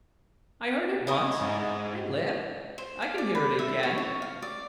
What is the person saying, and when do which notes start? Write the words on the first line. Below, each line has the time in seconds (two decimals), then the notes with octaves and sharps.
I heard it once and live--I can hear it again.
1.07 E4 D#5 G#5
1.41 G#2
2.78 C5
3.02 F5
3.18 D5
3.35 B5
3.59 E5
3.83 C#5
3.98 C#5
4.22 F5
4.42 D5